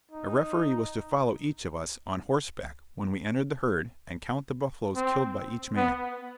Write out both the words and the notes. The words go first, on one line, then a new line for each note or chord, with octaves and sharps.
A referee was to follow each of us on horseback when we entered the herd, and count the buffaloes killed by each man.
D#4
C4
B3